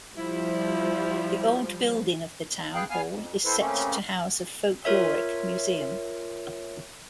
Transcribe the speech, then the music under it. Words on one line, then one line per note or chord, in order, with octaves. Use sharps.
The old building of the town hall is set to house a Folkloric Museum.
F3 G3 E4
B3 G#4 F5 G5 F#6
B3 F5 G#5 F6
F2
C4 E4 A4 B4 C5
C#3 A3 A#3 C4 C#4
F4 A#4 C#5 E5